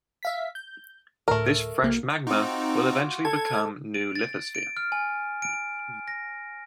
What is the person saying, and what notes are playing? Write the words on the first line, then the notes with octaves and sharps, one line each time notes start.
This fresh magma will eventually become new lithosphere.
E5 F5 B6
G6
D2 A2 A3 A#4
B1 A#3
C4 D#4 F4 F#4 D6
A4 G#6
D7
A6
D7
F6
G#5
D7
A#6